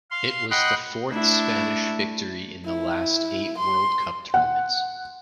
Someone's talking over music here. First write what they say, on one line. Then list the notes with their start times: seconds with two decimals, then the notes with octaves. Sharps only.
It was the fourth Spanish victory in the last eight World Cup tournaments.
0.11 F5 C6
0.51 D#5 F#5 G5 B5 C6 F#6
1.09 A3 D4 E4
2.66 E4
3.57 C6
4.34 F#5